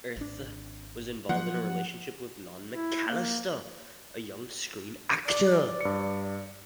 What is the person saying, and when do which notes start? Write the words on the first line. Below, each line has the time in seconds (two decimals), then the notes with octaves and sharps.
Eythe was involved in a relationship with Lon McCallister, a young screen actor.
0.17 G#1 D4
1.29 F3 F#3 A#3 F#5
2.72 E4
3.08 A#3
5.26 D5
5.81 G2 C#7